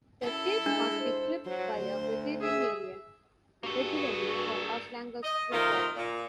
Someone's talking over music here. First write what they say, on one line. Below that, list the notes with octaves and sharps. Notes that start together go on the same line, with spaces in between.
The teeth must be clipped by a veterinarian regularly for as long as required.
F#2 E4 A4
G#3 D4
C5
F#3 C5
D2
G#4 E5
G2 A#3 F#4 G#4 A4
D#5
C3 D#3 A3 D#4 F4 A#4
A#2